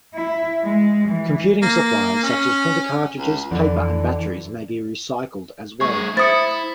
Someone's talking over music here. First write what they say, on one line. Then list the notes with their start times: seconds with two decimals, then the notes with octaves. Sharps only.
Computing supplies, such as printer cartridges, paper, and batteries may be recycled as well.
0.14 E4
0.63 G#3
1.08 E3
1.62 A#3
2.23 C#4
3.18 C#2
3.51 F2 D3 E3
5.81 A2 G#4 C#6
6.17 E4 C5 E5 D#6 A6 C#7